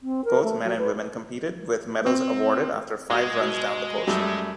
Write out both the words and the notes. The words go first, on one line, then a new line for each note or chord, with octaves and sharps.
Both men and women competed, with medals awarded after five runs down the course.
C4
A#4
A3
F#3
B4
C4
G#3 F#4
B2
F#2 G3 A3